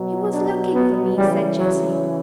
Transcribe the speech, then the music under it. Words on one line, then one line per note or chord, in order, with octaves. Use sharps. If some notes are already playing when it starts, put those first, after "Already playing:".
"He was looking for me," said Jessie.
Already playing: B2 F#3
D4
B3
C#3 E3 G3
F#3